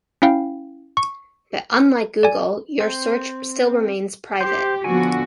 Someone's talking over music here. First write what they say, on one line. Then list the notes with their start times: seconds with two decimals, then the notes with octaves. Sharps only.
But unlike Google, your search still remains private.
0.22 C#4 E4 F5 G5
0.97 C#6
2.23 D5 G#5
2.81 C4
4.41 G4 C5
4.84 D3 F3 B3 F#4 G#5